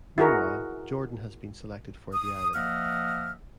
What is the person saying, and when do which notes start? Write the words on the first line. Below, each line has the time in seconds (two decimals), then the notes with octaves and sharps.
Meanwhile, Jordan has been selected for the island.
0.18 E4 F#4 G#4 A#4
2.14 D#6
2.55 F3 A#3 D#5 E5 F#5 F6